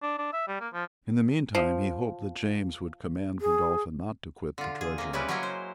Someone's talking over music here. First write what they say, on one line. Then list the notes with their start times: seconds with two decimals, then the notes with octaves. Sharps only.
In the meantime he hoped that James would command Godolphin not to quit the Treasury.
0.02 D4
0.18 D4
0.33 E5
0.48 G3
0.60 A#3
0.73 F3
1.55 F3
3.41 G#4
4.58 D3 F4
4.81 G#4
4.98 C3 A#3
5.13 C#3 G3 G#3 C#4 E4 B4
5.29 F#3 G#3 A#3 C#4 E4 G#4
5.43 C5